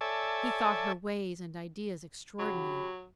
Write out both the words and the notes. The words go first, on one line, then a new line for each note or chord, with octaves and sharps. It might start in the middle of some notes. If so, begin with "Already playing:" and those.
He thought her ways and ideas extraordinary.
A4 C#5 D5 E5 G#5 A5
C#3 F#3 F#4 G4 B5